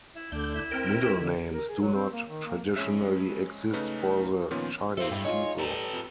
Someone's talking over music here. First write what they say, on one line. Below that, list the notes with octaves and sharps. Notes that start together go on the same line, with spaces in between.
Middle names do not traditionally exist for the Chinese people.
E4
D2 D3 D4 G6
E4
C4 A#4 G5
D3
A#4
G#4
F#3
C4
A#3
D#3
A#3
F2 G#3 C#4 E5
C#3 A3 C#4 D#4 B4
A#2 D#3 F3 B3 C#4 C6
F#2 A4 C5 E5 F5
G2 E4 G4
G#3 D#4 F4 C#5
G3 A4 B4 A#5
F2